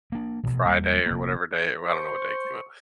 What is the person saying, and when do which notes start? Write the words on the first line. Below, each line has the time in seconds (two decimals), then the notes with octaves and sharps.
Friday or whatever day I don't know what day it came out.
0.12 A#3 D4
0.43 A1 B2 D3
0.65 E2 G3 A#3
1.06 F1 A#3
1.88 C5 C#6